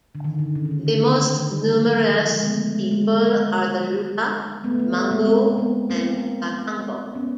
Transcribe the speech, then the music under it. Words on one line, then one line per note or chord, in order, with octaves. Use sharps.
The most numerous people are the Luba, Mongo, and Bakongo.
D3
D#3
D3
C#3
D#3
D3
D3
D3
D3
D#3
G#3
G3
F#3
F3
G3
G#3
A3 B3
A3
G#3
G#3 A#3
A3 B3
A3
A3
G#3 A#3
A#3 C4
A3 B3
A#3 C4
B3 C#4